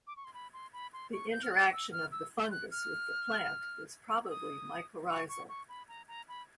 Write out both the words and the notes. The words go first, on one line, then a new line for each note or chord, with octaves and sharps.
The interaction of the fungus with the plant was probably mycorrhizal.
D6
C#6
C6
B5
C6
B5
C6
C#6
G6
F6
F#6
E6
F6
E6
F#6
F6
E6
D#6
C#6
C#6
C#6
B5
A#5
A#5
B5